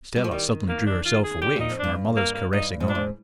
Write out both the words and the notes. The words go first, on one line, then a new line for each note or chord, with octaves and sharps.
Stella suddenly drew herself away from her mother's caressing arm.
G3
F3
D#3 G3
A#3
D4
F4
G#4
D3 G4
A#2 D#4
F2
G2 D4
A#3
A#3
G2 D#4
G#2
A#2 D4
G#2